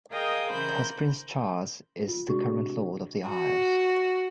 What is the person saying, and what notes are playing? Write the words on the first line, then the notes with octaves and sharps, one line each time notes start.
Thus Prince Charles is the current Lord of the Isles.
G#4 A#4 D#5 F5 G5 G#5
C#3 E3 A#4 C5 B5 G6
F4
C3 G#3 D4 F#4 G#4 C#6
F#4